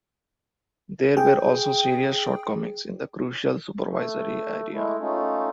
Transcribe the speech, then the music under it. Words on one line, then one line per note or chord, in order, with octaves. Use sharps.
There were also serious shortcomings in the crucial supervisory area.
G#4 G5
A3
G#3 A3 E4
A3 C#4 D#4 F4